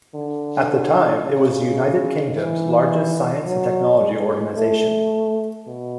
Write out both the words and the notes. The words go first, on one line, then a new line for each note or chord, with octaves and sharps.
At the time it was the United Kingdom's largest science and technology organisation.
D3
C#3
E3
F#3
G#3
A3
B2